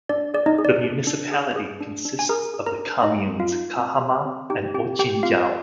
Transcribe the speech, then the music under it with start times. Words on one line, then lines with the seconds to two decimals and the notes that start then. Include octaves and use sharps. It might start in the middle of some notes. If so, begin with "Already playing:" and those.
The municipality consists of the communes Cahama and Otchinjau.
0.09 D4 D5
0.34 G#4 D5
0.46 D#4 D#5
0.58 G#4
0.65 D5
0.83 D4
1.07 D4
1.32 G#4
1.56 G#4
1.81 D4
2.05 D4
2.19 G#5
2.29 G#4 A#4 A#5
2.54 G#4
2.66 A#4 A#5
2.79 D4
3.03 D#4 G4 D#5
3.28 C4
3.40 F4 F5
3.52 D#4
3.77 C4
4.01 G4
4.26 C4
4.50 D#4 G4 G5
4.74 C4 G4 G5
4.99 G4 G5
5.23 C4 F4 F5